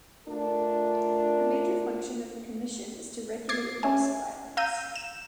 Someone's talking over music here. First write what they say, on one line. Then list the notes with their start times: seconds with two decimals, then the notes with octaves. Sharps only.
A major function of the Commission is to regulate the use of violence.
0.27 A3 D4 F4 A#4
3.49 D6 G#6 A6 C7
3.83 C#4 E5 G#5
4.57 F5 A#5 E6 G6 D#7
4.96 E7